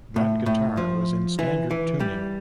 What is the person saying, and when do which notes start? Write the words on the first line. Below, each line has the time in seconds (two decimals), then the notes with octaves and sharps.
That guitar was in standard tuning.
0.16 A2
0.46 A2
0.77 F3
1.39 E3
1.71 E3
2.00 G3